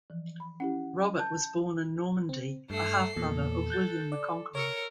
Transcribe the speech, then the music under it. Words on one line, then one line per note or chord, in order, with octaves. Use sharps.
Robert was born in Normandy, a half-brother of William the Conqueror.
E3 F3
B5
C#4 E4 G4 F#5
A5 G6
C4
G2 A3 C7
E2 A#2 A4
F#6 G6 A6
D5
A#4 C#5 E6 C#7